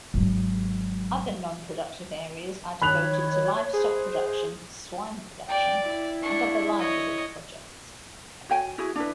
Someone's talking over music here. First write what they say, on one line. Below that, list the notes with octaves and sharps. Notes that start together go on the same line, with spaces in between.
Other non-productive areas are devoted to livestock production, swine production and other livelihood projects.
G#1 F#3
D#3 C#5 B5 F#6 F7
G#4 C5
D5 G5
E4
D4 C#6
C#5 D#5
F#4 C#5 G5 G#5
E4 F#4 G#4
D4 E4 B4